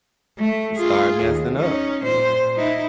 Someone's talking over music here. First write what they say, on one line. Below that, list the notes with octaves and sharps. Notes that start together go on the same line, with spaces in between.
and started messing up. Y yes,
A3
F4 G#4
D#2
C#4 D#4
A#2 C5
D#4 E4